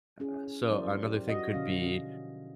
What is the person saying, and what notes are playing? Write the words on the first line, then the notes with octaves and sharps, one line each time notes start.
Uh, so another thing could be,
C#4 E4 G#4
F#3 D#4 E4 A#4 C5 D5
G4
F#4 D#5 F#5
B2 D3 F3 C#4 F5